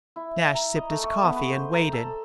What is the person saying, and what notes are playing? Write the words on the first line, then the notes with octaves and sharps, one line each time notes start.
Nash sipped his coffee and waited.
E4
A#5
D#5
A3
C#6
B3
B4
C5
A#5
A4